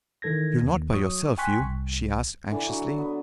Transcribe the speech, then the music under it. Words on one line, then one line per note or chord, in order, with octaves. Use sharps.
"You're not by yourself, Hugh?" she asked anxiously.
D#3 E3 A4 G#6 A#6
D#2
F#3 C#6 D#6
G5 G#5 C6 C#6 F#6 B6
C2
D3 E3 D4
F#3
B3